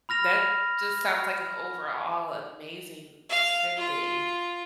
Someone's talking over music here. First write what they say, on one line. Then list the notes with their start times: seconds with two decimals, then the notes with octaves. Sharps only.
that just sounds like an overall amazing trip that you
0.09 B5 F6 A#6 F7
3.29 F5
3.77 F4